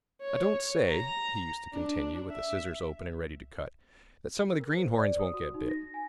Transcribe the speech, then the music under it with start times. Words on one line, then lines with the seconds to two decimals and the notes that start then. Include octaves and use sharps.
I don't say," he used to continue, with the scissors open and ready to cut, "that some of the greenhorns won't get bit.
0.22 C#5
0.89 A#5
1.74 D4
2.31 E5
4.60 A#4
4.75 C5
4.96 D5
5.19 D#6
5.34 F#4
5.54 D#4
5.69 A#6
5.94 G#5